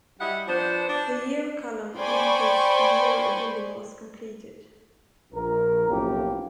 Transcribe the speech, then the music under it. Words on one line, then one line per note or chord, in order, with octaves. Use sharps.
The "Year" column indicates the year a building was completed.
G3 E4 D#5 F#5
F3 B3 D4 C5
D4
C5 D5 G5 G#5 B5 C#6
A#1 A#4
B1 F2 A2 A#3 C#4 G4